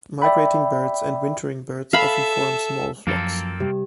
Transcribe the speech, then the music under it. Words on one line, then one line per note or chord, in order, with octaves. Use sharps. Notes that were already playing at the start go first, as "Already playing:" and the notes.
Migrating birds and wintering birds often form small flocks.
D5 E5 G5 B5
A4 E5 F5 B5
F#2 F3 A#3 C4 A4
C3 G3 G4